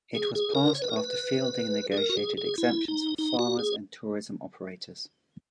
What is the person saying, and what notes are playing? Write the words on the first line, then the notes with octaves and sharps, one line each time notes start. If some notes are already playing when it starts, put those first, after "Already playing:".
It was passed after Fielding negotiated exemptions for farmers and tourism operators.
G#4
G#4
A#4
C#5
B4
A#4
B4
G#4
A#4
F#4
G#4
G#4
E4
D#4
D#4
F#4
G#4